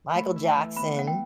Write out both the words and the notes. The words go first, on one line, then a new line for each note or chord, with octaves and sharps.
Michael Jackson,
A3 B5
E4
A5
E3
B3 B5
B3 F#5
G5